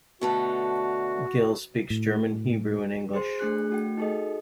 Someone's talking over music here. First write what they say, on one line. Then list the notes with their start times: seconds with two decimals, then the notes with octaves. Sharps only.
Gil speaks German, Hebrew, and English.
0.21 B2 D3 A3 F#4
1.90 A2
3.13 G#4 C5 C6
3.39 A3 D4 G#4 F#6
3.70 A3 F#4 G5
3.97 D#4 F#4 G#4 A4 D#5